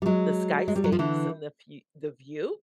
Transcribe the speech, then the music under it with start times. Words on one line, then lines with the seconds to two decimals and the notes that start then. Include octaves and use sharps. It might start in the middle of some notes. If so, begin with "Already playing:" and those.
the skyscapes and the fe the view.
0.02 G3
0.06 F#3 G#3
0.68 G#3
0.76 G3
0.84 F#3
0.92 F3
0.99 D3 E3